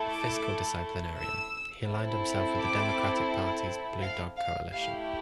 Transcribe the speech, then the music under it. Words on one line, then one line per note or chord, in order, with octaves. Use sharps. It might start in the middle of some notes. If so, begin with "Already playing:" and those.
A fiscal disciplinarian, he aligned himself with the Democratic Party's Blue Dog coalition.
Already playing: A3 E4 A4
D6
E6
C4 E4 A4
D6
F5
F5
A3 E4 G4 F5